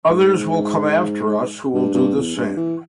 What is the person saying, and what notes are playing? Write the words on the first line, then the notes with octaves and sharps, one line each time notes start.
Others will come after us who will do the same.
G#2
G2
G2
E2
G2
E3